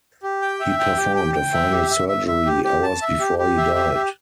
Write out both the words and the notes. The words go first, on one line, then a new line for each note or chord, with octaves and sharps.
He performed a final surgery hours before he died.
G4
G5
E5
G5
G4
G5
G5
E5
G4
E5
E5
E5
G4
G4
A5
E5
G4
G4
E5
G4
G4